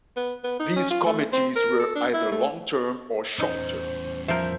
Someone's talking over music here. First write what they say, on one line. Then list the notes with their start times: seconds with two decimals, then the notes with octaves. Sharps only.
These committees were either long-term or short-term.
0.17 B3
0.44 B3
0.60 D#4
0.76 C#4
0.91 F4
1.06 A3
1.33 C4
1.56 A#4
1.80 A4
1.95 D4
2.14 E4
2.32 A3
3.39 E2 C#4 D#4 C5
4.28 F3 A#4 E5 G6